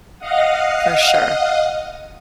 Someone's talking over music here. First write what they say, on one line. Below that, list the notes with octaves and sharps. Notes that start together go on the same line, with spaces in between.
For sure.
D#5 F5 F#5 D#6